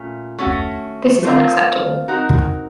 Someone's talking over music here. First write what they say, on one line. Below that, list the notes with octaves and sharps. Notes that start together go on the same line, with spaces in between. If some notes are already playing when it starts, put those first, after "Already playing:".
This is unacceptable.
Already playing: A#2 A3 C#4
A3 C#4 F#4
A3 C4 F4 A#4
F#3 C4 D#4 F#4 A#4